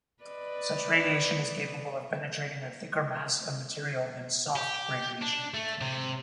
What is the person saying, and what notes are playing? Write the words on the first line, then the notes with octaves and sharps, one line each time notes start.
Such radiation is capable of penetrating a thicker mass of material than "soft" radiation.
B4 D5 D#5
G4
D4
A3
C3